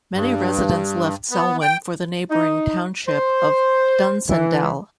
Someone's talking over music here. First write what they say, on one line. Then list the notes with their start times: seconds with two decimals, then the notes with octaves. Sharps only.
Many residents left Selwyn for the neighbouring township of Dunsandel.
0.14 G2
1.31 B3
1.61 G5
2.31 D#4
3.08 C5
4.30 E3